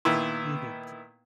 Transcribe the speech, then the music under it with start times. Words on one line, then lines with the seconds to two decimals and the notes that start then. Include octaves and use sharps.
Mhm. T
0.05 A#2 D#3 B3 E4